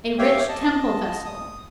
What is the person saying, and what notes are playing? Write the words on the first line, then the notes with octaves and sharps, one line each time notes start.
A rich temple vessel.
G4 C#5 E5 F5 G5
D#5 A5
D#6